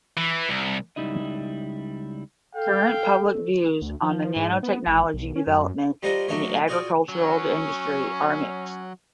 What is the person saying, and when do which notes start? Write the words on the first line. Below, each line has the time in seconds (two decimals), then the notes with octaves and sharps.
Current public views on nanotechnology development in the agricultural industry are mixed.
0.17 E3
0.49 C2
0.96 C#2 F#3 G3 D#4 E4 D#5
2.55 A4 F5 G5
3.82 D2
4.02 F3
4.36 G#2
4.63 B3
4.87 G#1
5.14 B1
5.36 C#4
5.47 F#2
6.03 G3 F4 A#4 C5 D#5 F#5
6.28 F#3 A3 D4 D#4 A#4 C#5
6.68 F4 F#4 G#4 D5 G5
7.09 F#3 C#4